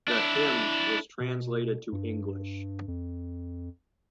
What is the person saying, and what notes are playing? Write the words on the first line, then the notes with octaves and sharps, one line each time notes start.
The hymn was translated to English.
D4 E4
B2
G2
F2